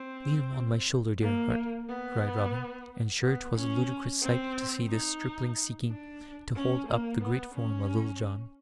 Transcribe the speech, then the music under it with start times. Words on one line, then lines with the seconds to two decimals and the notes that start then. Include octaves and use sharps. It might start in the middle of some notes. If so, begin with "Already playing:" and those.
"Lean on my shoulder, dear heart," cried Robin, and sure 'twas a ludicrous sight to see this stripling seeking to hold up the great form of Little John.
Already playing: C4
1.22 A#3
1.89 B3
3.22 B3
3.55 C#4
4.22 C4
4.88 D#4
5.88 D4
6.55 C#4
6.89 A#3
7.22 B3
7.55 C#4